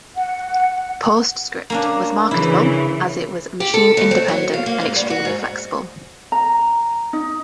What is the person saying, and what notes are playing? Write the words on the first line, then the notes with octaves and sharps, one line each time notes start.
PostScript was marketable as it was machine-independent and extremely flexible.
F#5
A#3 C#4 D4
C#3 E3 E4
G4
A4
D#2
C4
F#3
F5
A#3
G#2
G2
F#4
G#2
A#5
D#4